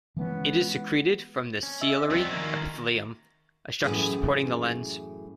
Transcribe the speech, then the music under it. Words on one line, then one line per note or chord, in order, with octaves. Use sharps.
It is secreted from the ciliary epithelium, a structure supporting the lens.
E3 G#3 B3 C#4
C#4
D#5 E5 E6
D#2 F3 G3 B3 C4
D#3 G#3 A#3 F#4 A#4
F#2 A2 E3 G#4